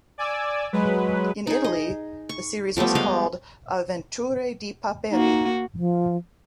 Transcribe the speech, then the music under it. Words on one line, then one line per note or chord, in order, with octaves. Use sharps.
In Italy, the series was called "Avventure di paperi".
D5 G#5 D6 E6
F#3 G#3 B4
D#4 G#4
D#5
C#6
F3 G3 A3 B3
G3 G#3 D#5 F5
A#3 D#4 F#4
F3